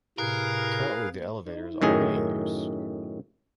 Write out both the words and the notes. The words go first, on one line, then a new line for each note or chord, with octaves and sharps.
Currently, this elevator is already in use.
A2 C3 G#4 A#4 B4 F5
F#2 A2 D#3 G#4